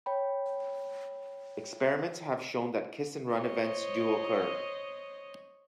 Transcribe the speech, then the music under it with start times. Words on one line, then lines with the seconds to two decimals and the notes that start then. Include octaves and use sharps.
Experiments have shown that kiss-and-run events do occur.
0.06 C#5 G5 B5
3.33 C5 C#5 D#5